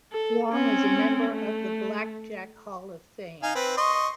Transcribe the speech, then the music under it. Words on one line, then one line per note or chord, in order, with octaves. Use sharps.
Wong is a member of the Blackjack Hall of Fame.
A4
C4 C#4
A3
D#4 F5 G#5
C4 B4
D#5 C6 C#6